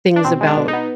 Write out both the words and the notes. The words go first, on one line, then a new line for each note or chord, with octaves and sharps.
things about
D4
B2 C4
G#3
D4
B2
D#4
B3